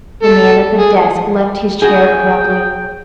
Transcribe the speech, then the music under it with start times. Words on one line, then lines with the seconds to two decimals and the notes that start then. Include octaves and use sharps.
The man at the desk left his chair abruptly.
0.23 A4
0.78 G#4
1.82 F#4 G#4 G5